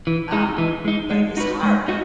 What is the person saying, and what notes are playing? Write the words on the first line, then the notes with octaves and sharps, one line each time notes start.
um, but it's hard,
E3
G#3 D#4
E3
G#3 D#4
G#3
D#4 F#4 B4
G#3
D#4 F#4